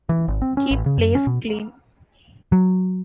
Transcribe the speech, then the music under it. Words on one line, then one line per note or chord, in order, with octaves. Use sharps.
Keep place clean!
E3
G#1
C4
C#4
A1
C#3
F#2
C#4
B2
F#3